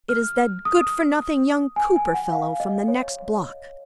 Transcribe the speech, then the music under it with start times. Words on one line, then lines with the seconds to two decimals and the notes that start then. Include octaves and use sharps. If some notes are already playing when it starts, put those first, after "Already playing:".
It is that good-for-nothing young Cooper fellow from the next block.
0.09 F6
0.65 D#6
1.76 G#5
1.96 G#5
2.14 F#5
2.32 F5
2.60 D#5
2.88 C#5